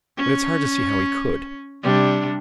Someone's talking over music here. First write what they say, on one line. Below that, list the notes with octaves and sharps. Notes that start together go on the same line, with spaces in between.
But it's hard to see how he could.
C#4
C3 G3 D4